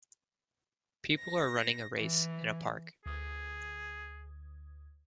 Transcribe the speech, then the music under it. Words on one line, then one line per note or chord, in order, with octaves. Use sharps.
People are running a race in a park.
A#6
E3
D2 G#4 D#6 G#6